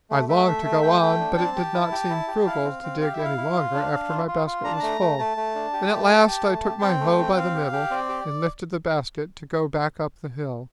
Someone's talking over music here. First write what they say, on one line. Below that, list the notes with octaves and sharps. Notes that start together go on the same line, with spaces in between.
I longed to go on; but it did not seem frugal to dig any longer after my basket was full, and at last I took my hoe by the middle and lifted the basket to go back up the hill.
A3
A3 E5
A3
A3
A3 G5
A3
D4
C4 A5
G4
E4
G4
E4
G4
E4 F5
C4
C4
G4 F5
E5
E4
F5
E4
F4
D4
D4
F4
F4
F4
D4 A#5
A5
A3 A#5
A3
A3 A5
A3
D4
G4
A3
G4
G4
A3
G4
C4 G5
A3
C4
C4 F5
G4
G4
C4 D5
G4